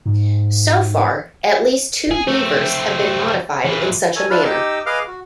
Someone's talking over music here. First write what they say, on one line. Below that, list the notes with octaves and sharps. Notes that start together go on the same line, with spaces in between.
So far, at least two Beavers have been modified in such a manner.
G#2
G#4
A3 C4
A#2 E3
A4 A#4 C#5 G#5
D4 E4 F4 B4 D5 F6
D#4 G4 D#5 D6 E6
G#4 B4 D#5 F5 D6 F6
F#4